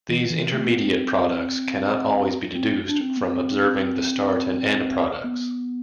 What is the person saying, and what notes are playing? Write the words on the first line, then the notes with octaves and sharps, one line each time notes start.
These intermediate products cannot always be deduced from observing the start and end products.
E3
E3
A3
B3
C4
C4
D4
C4
B3
C4
B3